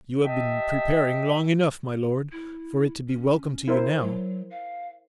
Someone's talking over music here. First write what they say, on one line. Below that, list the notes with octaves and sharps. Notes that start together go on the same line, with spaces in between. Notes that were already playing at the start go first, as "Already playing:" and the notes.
"You have been preparing long enough, my lord, for it to be welcome to you now."
G4 D#5 E5 A5
E4
C#4
E4 A#4 C5
F#3
F5